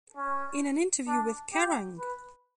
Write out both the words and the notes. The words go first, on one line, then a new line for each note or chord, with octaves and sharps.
In an interview with Kerrang!
C#4
D4
G4
B4